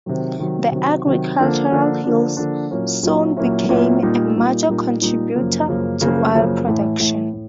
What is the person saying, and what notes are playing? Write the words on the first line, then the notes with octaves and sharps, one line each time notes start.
The agricultural hills soon became a major contributor to oil production.
C3 D#3 F#3
C3 D#3 F#3
C3 D#3 F#3
C3 D#3 F#3
D3 F3 A#3 D4
D3 F3 A#3 D4
D3 F3 A#3 D4
D3 F3 A#3 D4
A#2 F#3 A#3 C#4 E4
A#2 F#3 A#3 C#4 E4
A#2 F#3 A#3 C#4 E4
A#2 F#3 A#3 C#4 E4
A#2 G3 A#3 D#4
A#2 G3 A#3 D#4
A#2 G3 A#3 D#4
A#2 G3 A#3 D#4
F#2 C#3 F3 A#3
F#2 C#3 F3 A#3
F#2 C#3 F3 A#3
F#2 C#3 F3 A#3
A2 E3 A3
A2 E3 A3
A2